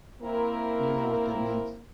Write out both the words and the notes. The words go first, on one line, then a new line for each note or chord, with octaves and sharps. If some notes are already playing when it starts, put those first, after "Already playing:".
You know what that means.
A#3 C4 E4 A#4